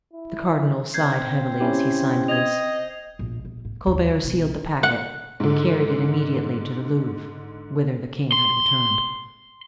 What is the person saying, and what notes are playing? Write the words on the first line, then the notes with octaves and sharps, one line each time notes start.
The cardinal sighed heavily as he signed this; Colbert sealed the packet, and carried it immediately to the Louvre, whither the king had returned.
E4
C4 G6 G#6 C7
C#4 E4 G4
D#5 G#6 F7
A#1
A#1
A2
D#2
C#2 B2
F#5
G#2 D3
C6